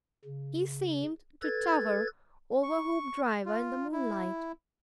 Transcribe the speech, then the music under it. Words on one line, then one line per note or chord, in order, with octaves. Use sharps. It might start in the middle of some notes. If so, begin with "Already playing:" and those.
He seemed to tower over Hoopdriver in the moonlight.
C#3
A4 B4 G#6 A6
C#6
F4
E4